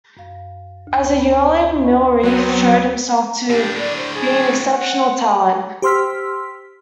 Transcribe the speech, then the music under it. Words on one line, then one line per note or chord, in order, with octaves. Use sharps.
As a yearling Mill Reef showed himself to be an exceptional talent.
F#2 F5
D2
C4 B5
D#5 G#5 C#6
F#3 B3 C4
A2 D4 G4
D5
C5
G#4
F#5
G4 C5 C6 E6 F6 B6